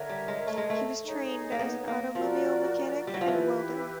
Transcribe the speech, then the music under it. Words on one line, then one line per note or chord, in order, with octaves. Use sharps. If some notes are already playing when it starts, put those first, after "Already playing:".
He was trained as an automobile mechanic and welder.
Already playing: D3 A#4 C#5 E5
G3
G#3
A3
G#3
A3
D#4 G#4 C#5
A#3
B3
A#3
F3 F#4 A#4 D5
G3
F#3
F3
E3 E4 G4 B4